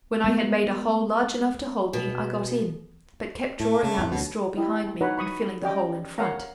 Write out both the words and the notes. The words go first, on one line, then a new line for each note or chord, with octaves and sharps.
When I had made a hole large enough to hold me, I got in, but kept drawing out the straw behind me, and filling the hole in front.
G#3 B3 A#4
B2
A2 A3
C#3 A3
F2 A2
D2 B2 F#3
E4 G4 D#5
D#4 F#4 B4 C#5 F#5 A#5
B5 C#6 D#6
C#4 G4 D5 D#5 G5 D6
A#4 C#5 F5 F#5 A#5